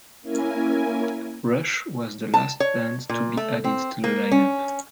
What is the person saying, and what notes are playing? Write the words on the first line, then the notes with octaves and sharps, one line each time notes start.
Rush was the last band to be added to the lineup.
A#3 C#4 E4 A#4 G#5
A5
C#5
A#2
A3
C4
A#3
C#4